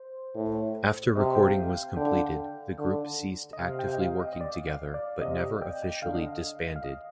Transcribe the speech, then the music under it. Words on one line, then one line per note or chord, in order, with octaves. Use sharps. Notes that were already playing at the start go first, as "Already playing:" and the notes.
After recording was completed, the group ceased actively working together, but never officially disbanded.
Already playing: C5
A2
C3 D#5
G5
F5
F5
D3 G5
D3
D#5
C3 F5
G5
D#5
F5
D#5
D#5
D5
F5
D5
C3 D#5
G5
G5
D3 F5
D#5
F5
F5
D#5